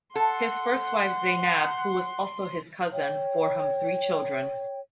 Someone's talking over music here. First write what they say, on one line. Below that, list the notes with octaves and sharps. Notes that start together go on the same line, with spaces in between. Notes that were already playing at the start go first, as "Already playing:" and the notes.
His first wife Zeynab, who was also his cousin, bore him three children.
A4 F#5 C6
C#5 G5